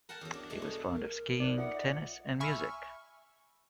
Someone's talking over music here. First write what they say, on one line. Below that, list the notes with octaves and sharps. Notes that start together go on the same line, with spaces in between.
He was fond of skiing, tennis, and music.
A#4 F#5 G5 A5
E2 F#3
D4
G#3 A3 D4
B2
A#4
D#4 B4 C5 D5
F4 A4 E5 F#5
D#5 E5
E5 G#5 B5 C#6 E6 F6